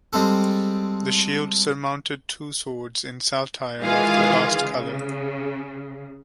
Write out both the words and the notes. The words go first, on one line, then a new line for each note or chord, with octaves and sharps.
The shield surmounted two swords in saltire of the last colour.
G3 G#3 C4 A4
D#3 E3 G#3 F4 G#4 F5
C#3